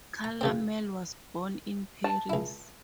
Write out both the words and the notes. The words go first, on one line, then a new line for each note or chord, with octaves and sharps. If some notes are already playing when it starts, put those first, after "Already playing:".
Challamel was born in Paris.
A#5
F#2 C#3 C4
A5
C#2 E4